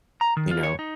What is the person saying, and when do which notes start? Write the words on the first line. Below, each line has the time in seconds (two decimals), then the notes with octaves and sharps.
you know,
0.21 A#5
0.37 D#3
0.51 F4
0.63 C#5
0.79 D#4